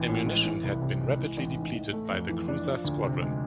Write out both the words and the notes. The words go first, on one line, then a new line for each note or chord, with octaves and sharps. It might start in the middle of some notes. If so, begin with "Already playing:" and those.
Ammunition had been rapidly depleted by the cruiser squadron.
Already playing: A1 E3
A2
G#3
E3
C2
C3
G#3
E3
A1
G#2
A1
A3
F2
E3
D4
F3
D2
C3
G#3